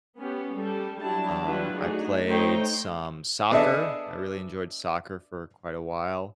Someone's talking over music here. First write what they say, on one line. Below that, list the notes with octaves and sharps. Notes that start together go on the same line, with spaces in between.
Um, I played some soccer. I really enjoyed soccer for quite a while,
B3 C#4 G4
G3 A4
F#3 G3 D4 E4 G4 A5
F#3 G3 D4 E4 F4 B4
A3 D4 D#4 F#4 G#4
A3 D#4 C5 C#5 D#5 G5
B3 D4 G#4 A4 D#5 E5